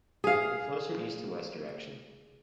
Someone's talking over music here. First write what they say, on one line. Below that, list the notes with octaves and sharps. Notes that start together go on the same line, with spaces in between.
It flows from east to west direction.
G#4 F5